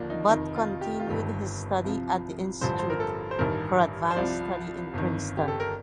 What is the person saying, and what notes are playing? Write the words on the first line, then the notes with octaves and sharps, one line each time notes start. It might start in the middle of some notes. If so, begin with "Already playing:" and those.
Bott continued his study at the Institute for Advanced Study in Princeton.
Already playing: D#2 D3 F3 A#3 D4
D#4
F1 F2 D#3 D#4
F4
G4
F4
G1 G2 D#3 G4
C2 C3 F3
A1 G2 D3 F3 C5
C5
A#4
A4
C5
A1 G2 D#3 A#4
C5
C2 C3 F3 D5
G1 F2 D#3
G4
A4
A#4